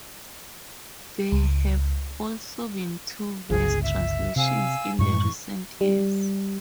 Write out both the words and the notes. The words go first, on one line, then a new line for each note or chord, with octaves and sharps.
There have also been two verse translations in recent years.
C#2
G1 C#2 G#4
E5
C3 F5 G#5 E6
F#2 A2 G#3 C#6
G3